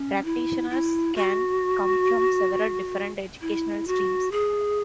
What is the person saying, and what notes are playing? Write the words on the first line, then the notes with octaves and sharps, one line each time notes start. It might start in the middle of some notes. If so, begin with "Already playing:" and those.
Practitioners can come from several different educational streams.
Already playing: C#4
E4
E4
F#4
E4
F#4
G#4